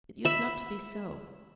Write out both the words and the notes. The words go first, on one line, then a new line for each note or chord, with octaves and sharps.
It used not to be so.
E5 B5